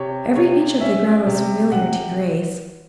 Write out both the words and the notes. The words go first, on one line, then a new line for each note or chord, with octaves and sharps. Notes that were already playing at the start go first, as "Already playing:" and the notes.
Every inch of the ground was familiar to Grace.
Already playing: C3 C#5
C3 C#5
C#4 E5
C3
C3 F#5